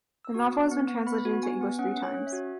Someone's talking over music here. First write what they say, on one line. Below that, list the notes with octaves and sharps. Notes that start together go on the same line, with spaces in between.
The novel has been translated into English three times.
E6
F#4 C#6
B3
B3
B3
B3 B5
F#4
B3 G#5
B3
C#4 F#5
C#4
C#5
C#4
E5
F#4